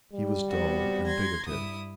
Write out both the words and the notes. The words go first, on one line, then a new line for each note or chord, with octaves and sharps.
He was dull and bigoted.
G3
B3 C4 F#4
A#5 C6 G#6
G2 E4 D#6